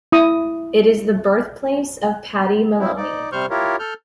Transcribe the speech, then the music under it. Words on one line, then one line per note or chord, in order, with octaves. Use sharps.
It is the birthplace of Patty Maloney.
E4 D#6
F#3 C4 E4
D#4 D5
C3 G3 C5 C#6 F6 G6
E4 F4 G4 A#4 C#5
A4 F6 G6